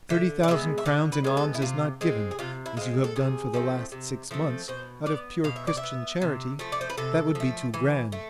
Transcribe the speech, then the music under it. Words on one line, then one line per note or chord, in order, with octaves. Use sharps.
Thirty thousand crowns in alms is not given, as you have done for the last six months, out of pure Christian charity; that would be too grand.
D3 E5
D5
G#3 B3 E5
E5
D3 D5
B4
G#3 B3
A4
E4
C3 F4
G#3 C4
G#4
C3 F4
E4
G#3 C4 F4
A4
C3 G#4
F3 A3 C4
C3
F3 A3 C4
B2 C5
B3 D5
B2 F5
E5
D5
E5
B3
C3
F3 A3
D5
C5
B4
C3 A4
F3 A3
E3
A3